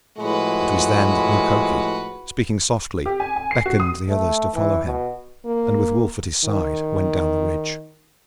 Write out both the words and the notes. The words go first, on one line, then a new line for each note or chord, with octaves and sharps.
It was then that Mukoki, speaking softly, beckoned the others to follow him, and with Wolf at his side went down the ridge.
A2 F3 G#3 F#4 B4
G4
G#5
G#5
C7
F#4
D#6
A3
E3
B2
A#3
D#3